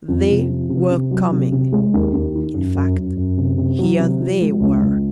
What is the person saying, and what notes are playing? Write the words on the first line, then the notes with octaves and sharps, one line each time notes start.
"They" were coming--in fact, here "they" were!
F2
C3
F3
C3
C3
F#3
C3
C3
G#3
D#2
D#2
D#3
F#2
F#2
F#2
F#2
C3
C3
F#3
C3
F3
G#3
C#2
C#2